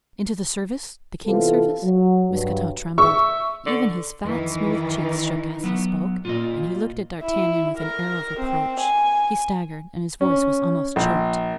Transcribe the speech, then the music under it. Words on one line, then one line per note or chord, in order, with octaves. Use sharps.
"Into the service--the king's service?" Mousqueton trembled; even his fat, smooth cheeks shook as he spoke, and he looked at D'Artagnan with an air of reproach; he staggered, and his voice was almost choked.
C3 E3 B3 F4 A4
F#3
G2 F#3
E5 C#6
D3
F2 D#3 E3
D#4
F#3 B3
A#2 F4 D#5
E4
A#4
C4
G#5
C#4
A#1